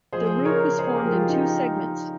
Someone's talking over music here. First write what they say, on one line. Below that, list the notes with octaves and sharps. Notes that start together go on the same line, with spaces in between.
The route was formed in two segments.
F3 G#4 C5
C#3
A#4 C#5
C#3
G#3 G#4 C5
G4 A#4
F3
F4 G#4
C#3
D#4 G4